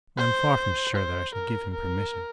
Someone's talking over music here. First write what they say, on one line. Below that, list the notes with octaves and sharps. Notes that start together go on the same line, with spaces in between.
I am far from sure that I shall give him permission.
C5
C5
A#4
A#4